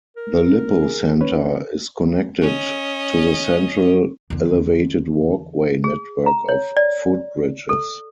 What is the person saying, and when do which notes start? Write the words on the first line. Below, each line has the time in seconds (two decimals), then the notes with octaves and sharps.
The Lippo Centre is connected to the Central Elevated Walkway network of footbridges.
0.17 A#4
0.83 G#4
1.21 C#4 B4 C#5
2.42 C#4 D#5
4.30 E2 D3
5.84 G#4
6.26 A#5
6.49 C#5
6.77 D5
7.69 A4